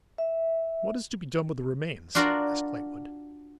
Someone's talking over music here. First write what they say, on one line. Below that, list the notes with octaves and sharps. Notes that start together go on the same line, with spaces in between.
'What is to be done with the remains?' asked Lightwood.
E5
D4 F4 F#4 A#4 D5